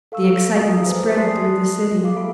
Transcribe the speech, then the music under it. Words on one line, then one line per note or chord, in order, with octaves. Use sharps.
The excitement spread through the city.
A4 F5 C#6 E6
A3 F#4 G#4 F5 A#5 D#6
G#4 A4 B4 C5 G#5
D5 A5 C6 D#6 F#6 C7
G4 A#4 F5 D6
A#3 A4 E5 F5 B5 D7